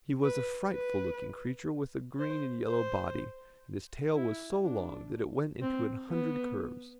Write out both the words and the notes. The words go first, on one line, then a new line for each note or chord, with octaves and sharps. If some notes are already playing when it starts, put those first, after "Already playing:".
He was a frightful looking creature with a green and yellow body, and his tail was so long that it went into a hundred curves.
B4
B4
C5
C5
E4
D4
C4
B3